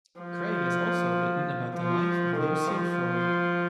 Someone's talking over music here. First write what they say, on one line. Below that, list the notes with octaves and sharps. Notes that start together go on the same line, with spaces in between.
Greig has also written about the life of Lucian Freud.
F3
F3
D#3
F3